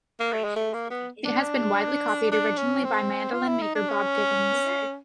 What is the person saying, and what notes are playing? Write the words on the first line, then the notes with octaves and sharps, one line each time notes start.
It has been widely copied, originally by mandolin maker Bob Givens.
A#3
A3
G#3
A3
A#3
B3
D4
D4
C#4
C4
F4
E4
D#4
D4
C#4